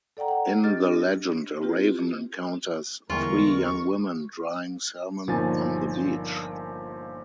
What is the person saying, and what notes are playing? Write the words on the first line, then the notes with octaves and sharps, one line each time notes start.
In the legend, a raven encounters three young women drying salmon on the beach.
A4 D5 F#5 G5 A#5
F#5 G5
D4 G4 D#5 F6 A6
C4 E4 F4 G4 B4
E2 D3 E3 G3 G#3 F4 A#4 C#6
G1 A#2 F3 D#4 G#5 A6